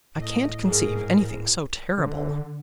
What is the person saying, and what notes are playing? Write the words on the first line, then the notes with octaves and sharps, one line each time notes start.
I can't conceive anything so terrible.
A2 A3 D#5
G#2 G#4 A#4
D3